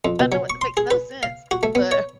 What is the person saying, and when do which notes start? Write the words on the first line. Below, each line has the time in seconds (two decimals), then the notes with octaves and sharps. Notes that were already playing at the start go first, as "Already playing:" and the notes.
I know it makes no sense, but
0.05 F2
0.20 B2
0.32 F#3
0.50 C#6
0.61 C6
0.77 G#4
0.91 B4
1.23 F5
1.51 F#4
1.63 A3
1.75 B3
1.91 C#5